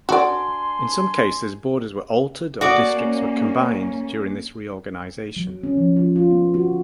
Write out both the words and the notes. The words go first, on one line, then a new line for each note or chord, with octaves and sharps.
In some cases, borders were altered or districts were combined during this reorganisation.
D4 F#4 D5 G#5 C6
A#3 C#4 F#4 D5
F#3
C#4
F3
F4
F4
B3
F#4